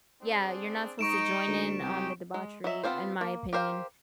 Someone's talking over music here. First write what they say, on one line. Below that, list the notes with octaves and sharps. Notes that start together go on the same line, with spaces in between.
yeah, you're not supposed to join in on the debauchery in my opinion
C4 D4 G#4
G#2 D#4 C#6 D7 E7
D2
C2 G#3 D#4 G4
G#3
F#3 D#5 E5
B3 C4 F4 G#4 C5
A#3
G4 A#4 C5 E5 F5